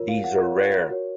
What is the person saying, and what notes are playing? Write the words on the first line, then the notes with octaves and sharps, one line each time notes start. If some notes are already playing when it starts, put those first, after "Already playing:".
These are rare.
Already playing: F4 A#4 C#5
F5
F#5
F4 A#4 C#5
F#4 A#4 C#5